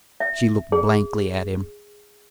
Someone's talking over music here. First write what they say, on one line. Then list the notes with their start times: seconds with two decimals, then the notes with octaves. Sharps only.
She looked blankly at him.
0.20 E5
0.72 G#4